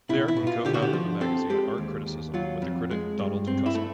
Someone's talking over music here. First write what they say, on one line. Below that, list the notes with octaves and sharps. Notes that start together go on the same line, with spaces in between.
There he co-founded the magazine Art Criticism with the critic Donald Kuspit.
B2 E4
E4
B2
F4
D3 G4
F#4
G4
F3
C4 A4
G#3 G4
D#2
D#2
F#3 F4
F2
G#3
G2
C4
E4
A3